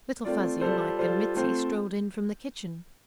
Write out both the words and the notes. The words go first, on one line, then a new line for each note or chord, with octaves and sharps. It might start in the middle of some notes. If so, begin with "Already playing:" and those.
Little Fuzzy, Mike and Mitzi strolled in from the kitchen.
A3 C4 F4 D5
G3 F4 A4 C5
G3 F4 A4 C5
A3 C4 F4 C5